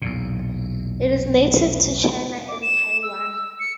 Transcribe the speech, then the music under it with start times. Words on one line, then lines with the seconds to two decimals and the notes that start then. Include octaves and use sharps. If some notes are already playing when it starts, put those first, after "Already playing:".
It is native to China and Taiwan.
0.02 B1 E2 A#2
2.48 D6
2.62 E7
3.03 E6
3.60 C#7